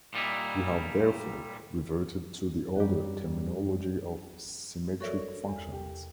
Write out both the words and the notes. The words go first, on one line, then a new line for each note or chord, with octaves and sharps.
We have therefore reverted to the older terminology of symmetric functions.
A#2 G3 D#4 E4
F#2 G3
F#4 A4 A#4 C#5 D5 E5
E2
G4